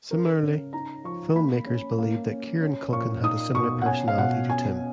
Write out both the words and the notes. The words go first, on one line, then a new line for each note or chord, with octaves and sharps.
Similarly, filmmakers believed that Kieran Culkin had a similar personality to Tim.
C#4 A#4
C#3
D#4 A#5
F3 C#6
A#3 B5
C#4
A#3
C#4
C#4
A#2 C#6
D#4 D#6
B2 C#6
F#5
C#4 G#5
F5
B2 F#5
C#4 G#5